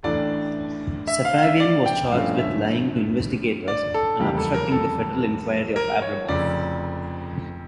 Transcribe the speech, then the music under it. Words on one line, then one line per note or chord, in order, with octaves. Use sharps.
Safavian was charged with lying to investigators and obstructing the federal inquiry of Abramoff.
A1 A2 E3 A3 D4 D5
E5
F5
F5
E5
D5
G5
G2 F3 A3 C#4 F5
E5
D5
A4
F1 E2 C#3 G3 A#3 G4
A4
A#4
A4
A#4
C#5
F1 F2 C#3 D5